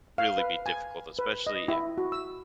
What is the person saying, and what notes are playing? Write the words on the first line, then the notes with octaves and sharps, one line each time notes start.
really be difficult, especially if,
F5
B4
G#5
B4
D#5
E4
F#4
E6